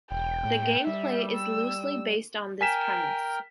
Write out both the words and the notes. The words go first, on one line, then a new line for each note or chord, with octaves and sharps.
The gameplay is loosely based on this premise.
E1 G5
A2
G3 E5
E6
A#4 G5 G#5 F6 B6 E7